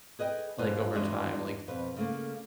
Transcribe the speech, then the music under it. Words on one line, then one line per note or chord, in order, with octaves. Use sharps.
Like, over time, like,
G#4 B4 D#5 E5 G5
D#2 G#2 B2 F4 B4
E2 G2 G#3 D4 F#4 E5
F2 B2 B4
C#3 A3 A#3